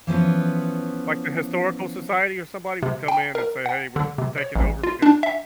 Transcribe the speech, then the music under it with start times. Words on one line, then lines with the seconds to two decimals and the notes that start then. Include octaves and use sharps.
Like, the historical society or somebody would come in and say, "Hey. We're we're taking over because
0.07 E3 F3 B3 C#4
2.83 C3
3.08 G5
3.35 A#4
3.66 F#5
3.96 D3
4.18 C3
4.38 C#5
4.56 A1
4.83 F4
5.02 D4
5.23 E5